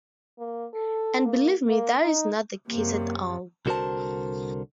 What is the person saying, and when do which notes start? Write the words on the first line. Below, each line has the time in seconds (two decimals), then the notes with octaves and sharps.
And believe me that is not the case at all.
0.39 A#3
0.74 A4
1.25 A#3
1.69 A#3
2.03 D#4
2.67 F#2 C3 A#3
3.66 C2 D3 F#4 A#4 C5 A5